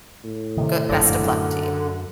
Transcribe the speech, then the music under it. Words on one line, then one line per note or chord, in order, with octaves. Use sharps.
Goo Best of luck to you.
A2
C3 D#3
F#1 F2 D3
F#2